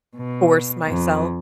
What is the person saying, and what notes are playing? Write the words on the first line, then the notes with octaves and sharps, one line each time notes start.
force myself.
B2
F2